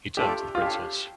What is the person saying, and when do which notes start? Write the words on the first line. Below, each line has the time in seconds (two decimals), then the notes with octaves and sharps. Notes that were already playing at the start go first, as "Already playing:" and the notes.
He turned to the Princess.
0.17 A3 D4 F4 G4 A4 D5
0.55 F4
0.62 D4 G4 A4 C#5 F5